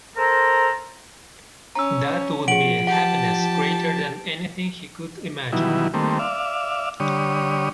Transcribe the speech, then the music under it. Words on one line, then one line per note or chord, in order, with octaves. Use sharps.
That would be a happiness greater than anything he could imagine.
A4 A#4 C5 A#5
C#4 A#5 E6
F3 G#4 F#5 D7 F#7
G4 F#5 A5
B2 D#3 E3 F#3 G3 E4
D#3 G3 A3 A#3 C4
D5 E5 F5
D3 G3 C#5 D#6